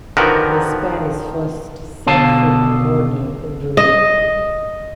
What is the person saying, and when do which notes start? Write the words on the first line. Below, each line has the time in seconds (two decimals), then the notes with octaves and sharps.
The Spanish first set foot on Borneo in Brunei.
0.17 D3 D#3 F3 F#4 A#4 B4
2.07 B2 D3 F5 A5
3.77 D#5